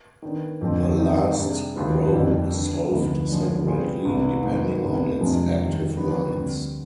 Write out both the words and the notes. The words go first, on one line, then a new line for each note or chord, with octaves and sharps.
The last row is solved separately, depending on its active lights.
D#3 B3 D4
F2 D3 F3 C4
D#3 G3 C4 D#4
C3 G3 D4 G#4
D#2 D#3 B3 F4
F2 D3 G3
D3 G3 B3 D4
D2 C3 F3 B3 D#4
D3 F3 G#3 B3 D4
C3 G3 B3 F4 G#4
C2 C3 G3 B3 D4
G#2 D#3 B3
C2 C3 D#3 B3 D4
F2 C3 F3 G#3 D4
D#2 D#3 G3
D3 F3 B3
D2 D3 G3 C4